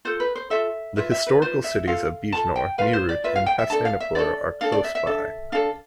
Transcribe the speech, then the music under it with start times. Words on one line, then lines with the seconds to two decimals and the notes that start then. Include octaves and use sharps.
The historical cities of Bijnor, Meerut and Hastinapur are close by.
0.05 F4 A4 C5
0.20 B4
0.35 C5
0.50 F4 A4 E5
0.96 F4 B4 E5
1.11 E5
1.27 B4
1.42 F4 B4 C5
1.64 E5
1.87 F4 A4 F5
2.32 F4 A4 A5
2.56 G5
2.78 F4 B4 F5
2.93 C5
3.09 D5
3.24 F4 B4 E5
3.36 F5
3.46 G5
3.59 E5
3.70 D4 A4 A5
3.85 F5
4.00 E5
4.15 D4 A4 D5
4.61 D4 A4 F5
4.72 D5
4.84 E5
4.95 E5
5.07 D4 A4
5.52 D4 A4 F5